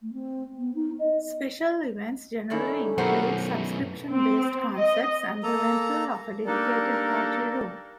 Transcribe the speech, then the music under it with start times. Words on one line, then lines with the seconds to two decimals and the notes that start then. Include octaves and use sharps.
Special events generally include subscription-based concerts and the rental of a dedicated party room.
0.01 A3
0.13 C4
0.58 B3
0.75 D#4
0.99 D#5
2.50 G2 D3 D#3 C#4 D#4 E4 A4
2.98 F#2 B2 E4 F#4 G4 A#4 C5 F#5
3.47 E3 A3
4.12 C4
4.76 D#5
5.43 A#3 A4 A#5
6.46 G3 A#3 D4 D#4 A4 A#4